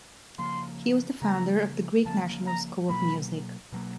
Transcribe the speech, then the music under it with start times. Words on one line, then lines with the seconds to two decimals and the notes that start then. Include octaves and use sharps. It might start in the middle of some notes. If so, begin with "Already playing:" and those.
He was the founder of the Greek National School of Music.
0.38 C#3 F3 A#3 C6
1.22 C#3 F3 A#3 A#5
2.05 C#3 F3 A#3 A5
2.47 A#5
2.89 B2 F#3 A#3 B5
3.72 B2 F#3 A#3